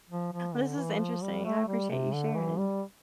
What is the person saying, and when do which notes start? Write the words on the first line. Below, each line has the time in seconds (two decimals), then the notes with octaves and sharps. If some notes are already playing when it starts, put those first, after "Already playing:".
this is interesting. I appreciate you sharing.
0.10 F3
0.33 F3
0.55 D3
0.77 E3
1.00 F3
1.23 G3
1.45 A3
1.68 G3
1.90 C3
2.13 D3
2.35 E3
2.58 G3